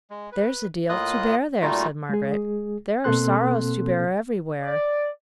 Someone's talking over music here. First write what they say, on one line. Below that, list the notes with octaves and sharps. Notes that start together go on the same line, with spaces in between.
'There's a deal to bear there,' said Margaret. 'There are sorrows to bear everywhere.
G#3
B4
A2 A#3 F4 D#5 D#6 F#6
A#2 G3 A3 D#4 F4 F#4
G#3 G#4
B2 A#3 C4 A4 C6 F#6
D5